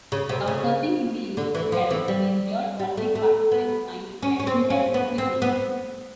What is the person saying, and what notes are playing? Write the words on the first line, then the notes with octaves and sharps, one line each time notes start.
Crowdsurfing can be used to help injured or sick participants find medical help quickly.
C#3
C3
C#3
D3
E3
F3
E3
G3
G3
A3
A3
B3
C#4
C#4
C4
C#4
B3
C4
B3